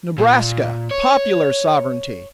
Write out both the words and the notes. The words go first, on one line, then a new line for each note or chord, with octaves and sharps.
Nebraska--Popular Sovereignty.
A#2
C#5